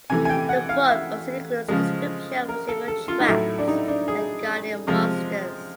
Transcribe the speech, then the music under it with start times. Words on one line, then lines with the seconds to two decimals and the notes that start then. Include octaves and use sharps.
The book also includes descriptions of several traps and guardian monsters.
0.10 C3 E3 A3 G#5
0.25 G#5
0.29 G5
0.49 F#5
0.69 F5
0.89 E5
1.68 C#3 F3 G#3
2.49 A#4
2.69 A4
2.88 A4
3.08 F4
3.20 D#4
3.28 A2 F#3 A3 E4
3.58 D4
3.68 D#4
3.88 D4
4.08 G#4
4.87 C3 F3 G#3